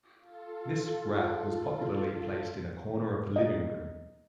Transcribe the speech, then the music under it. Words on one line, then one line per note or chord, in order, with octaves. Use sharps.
This rack was popularly placed in a corner of the living room.
F4 A4
D#5